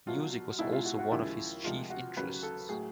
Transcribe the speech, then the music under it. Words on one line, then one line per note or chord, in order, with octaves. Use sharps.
Music was also one of his chief interests.
C2 B2 F#3 F4
C2 B2 G#3 E4
F4
F#4
F#4
D#2 C#3 F3 G#3 E4
D2 C3 F3 G#3 F4
F#4
D#2 C#3 F#3 B4
A4
A2 F#3 G#4